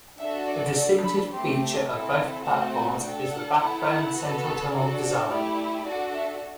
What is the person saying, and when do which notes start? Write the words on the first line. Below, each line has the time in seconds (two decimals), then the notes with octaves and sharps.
The distinctive feature of both platforms is the backbone central-tunnel design.
0.19 D4 F#4 A4 E5
0.47 D5
0.75 D4 A4 D5
1.04 B5
1.32 A3 C4 G4 C6
1.89 C4 E4 A4
2.45 A3 C4 F#4 A4 A5
3.02 D4 A4 G5
3.31 F#5
3.59 B3 E4 A4 F#5
3.87 F#5
4.15 B3 F#4 A4
4.72 D4 F#4 A4 D5
5.00 D5
5.29 A3 E4 G4 D5
5.85 D4 F#4 A4 D5
6.14 E5